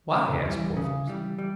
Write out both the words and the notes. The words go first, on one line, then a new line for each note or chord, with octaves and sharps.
"Why?" asked Porthos.
C#3
E3 G3
C#3
E3 G3
G3